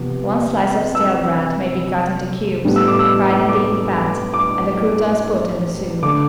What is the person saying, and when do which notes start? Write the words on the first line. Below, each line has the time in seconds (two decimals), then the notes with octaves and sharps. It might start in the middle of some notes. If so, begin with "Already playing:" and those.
One slice of stale bread may be cut into cubes, fried in deep fat, and the croutons put in the soup.
Already playing: C3 F3 B3
0.95 E6
2.65 A2 G3 B3
2.76 E6
2.88 D6
2.99 E6
3.49 D6
4.34 D6
6.03 D3 A3 D6